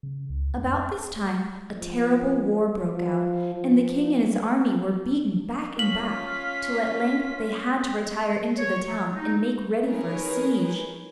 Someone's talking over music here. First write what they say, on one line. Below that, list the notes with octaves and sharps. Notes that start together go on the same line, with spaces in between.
About this time a terrible war broke out, and the king and his army were beaten back and back, till at length they had to retire into the town, and make ready for a siege.
C#3
C#2
F2
F3
F3
F3
C#4 F4 F5 B6 F#7
C#5
F#3
D#4
D#4 G#4 A#4 B4 C#5